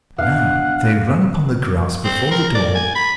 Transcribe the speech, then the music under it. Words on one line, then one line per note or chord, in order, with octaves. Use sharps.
Now they run upon the grass before the door.
B2 D3 F5 F#5 F#6
C4
A#4
D5
G#5
B5